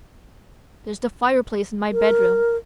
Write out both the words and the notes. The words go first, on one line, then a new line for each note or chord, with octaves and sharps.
There's the fireplace in my bedroom.
A#4